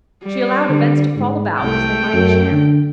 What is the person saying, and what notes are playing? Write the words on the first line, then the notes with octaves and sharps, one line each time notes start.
She allowed events to fall about as they might chance.
G3
D3
G#2
C2 A3 G5
F#2
D3